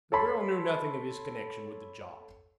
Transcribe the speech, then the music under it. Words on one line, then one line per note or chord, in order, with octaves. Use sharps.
The girl knew nothing of his connection with the job.
A4 C#5 A5 B5 C6